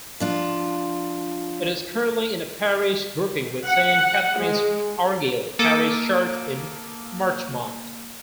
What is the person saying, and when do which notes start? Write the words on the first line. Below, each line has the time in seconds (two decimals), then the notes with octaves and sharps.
It is currently in a Parish Grouping with Saint Catherine's-Argyle Parish Church in Marchmont.
0.20 F3 D4 F4
3.65 F#5
4.37 G#3
5.59 A#3 A4 D6 D#6